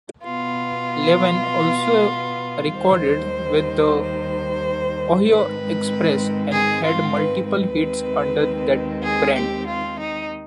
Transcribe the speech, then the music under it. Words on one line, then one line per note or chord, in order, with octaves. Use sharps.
Levine also recorded with The Ohio Express and had multiple hits under that brand.
B2 B3 F4
D#2 D#3 G3 C5
C5
G#2 D#3 G#3 C4 B4
G#4
F4
B4
B4
D#2 D#3 G#3 C4
G#4
G4
F4
D#4